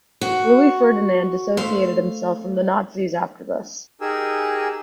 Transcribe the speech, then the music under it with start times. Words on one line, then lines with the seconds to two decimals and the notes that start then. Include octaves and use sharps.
Louis Ferdinand dissociated himself from the Nazis after this.
0.21 F#4
1.57 A3 C5 F5
4.01 D#4 G4 G#4 A#4 G#5 E6